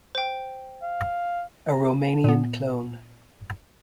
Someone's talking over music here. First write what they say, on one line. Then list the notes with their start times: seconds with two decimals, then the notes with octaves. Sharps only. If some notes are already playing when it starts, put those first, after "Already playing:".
A Romanian clone.
0.15 C5 G5
0.83 F5
2.24 A#2 B3